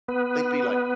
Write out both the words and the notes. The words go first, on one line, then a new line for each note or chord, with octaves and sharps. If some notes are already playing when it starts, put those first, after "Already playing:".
They'd be like
B3 B4